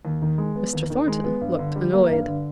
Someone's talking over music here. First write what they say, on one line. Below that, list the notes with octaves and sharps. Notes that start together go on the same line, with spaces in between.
Mr. Thornton looked annoyed.
D#2
D#3
G#3
B3
D#2
D#3
G#3
B3
G2
D3
G3
A#3
G2
D3